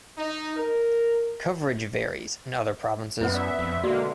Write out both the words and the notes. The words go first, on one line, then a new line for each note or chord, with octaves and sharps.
Coverage varies in other provinces.
D#4
A#4
F#2 B3 E4 B4 F#5
D5 E5
F2
B2 D3 G#3 A#3 F#4 D5 E5